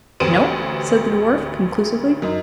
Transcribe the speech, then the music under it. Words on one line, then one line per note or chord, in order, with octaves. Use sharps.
"No," said the dwarf, conclusively.
A1 D2 B3 C5 D7 D#7
F#2 D#4